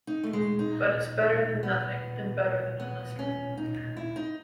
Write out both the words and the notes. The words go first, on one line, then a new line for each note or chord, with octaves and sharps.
But it's better than nothing, and better than enlistment.
D#4
A3
G#3
D#4
B3
B3
C#4
D#4
E4
D#4